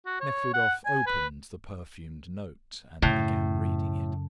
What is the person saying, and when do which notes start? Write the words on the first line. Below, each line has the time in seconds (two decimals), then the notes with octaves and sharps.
Nekhludoff opened the perfumed note, and began reading it.
0.06 F#4
0.20 C#5
0.54 F#5
0.86 G#5
1.07 B4
3.02 F#2 A2 C#3